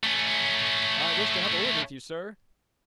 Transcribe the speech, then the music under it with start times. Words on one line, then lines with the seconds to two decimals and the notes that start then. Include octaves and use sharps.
"I wish to have a word with you, sir."
0.03 A3 C#4